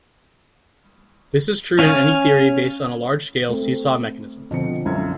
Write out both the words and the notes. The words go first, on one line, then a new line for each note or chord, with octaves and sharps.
This is true in any theory based on a large-scale seesaw mechanism.
C#4 F5 G#5
A3 C4
B2 D3 F3 C4 C#7
B1 F#2 G#6